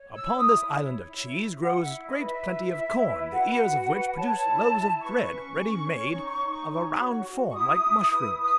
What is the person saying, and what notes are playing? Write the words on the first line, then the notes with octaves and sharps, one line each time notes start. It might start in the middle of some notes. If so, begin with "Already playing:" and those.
Upon this island of cheese grows great plenty of corn, the ears of which produce loaves of bread, ready made, of a round form like mushrooms.
Already playing: C#5
E6
E4
D#6
E4
C#5
E4
E4
E4 F#5
E5
E4
D#5
B4
E5
E4
E4
B4
F#4 F#5
F#4
B4
C#5 A5
E4
E4
B4 C#6
C#4
C#4
C#5
D#4
D#4
C#5
F#4
F#4
C#6
E4 D#6
E4
B4
B4 D#6